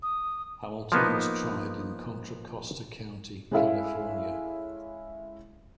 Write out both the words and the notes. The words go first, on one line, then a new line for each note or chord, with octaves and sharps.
Hamilton was tried in Contra Costa County, California.
D#6
F3 A#3 B3 D#4
G#3 C#4 E4 A4 E5 F5